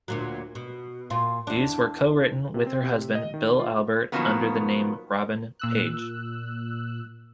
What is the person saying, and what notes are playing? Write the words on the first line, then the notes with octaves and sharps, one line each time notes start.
These were co-written with her husband, Bill Albert under the name Robin Paige.
D2 A#2 F#3
B2
A#2 F4
E2 D4
C3
C4
C3
D#5
D#3
F4
B2 D#3 F3 F#3 A#3 B3
A#2 E6 F#6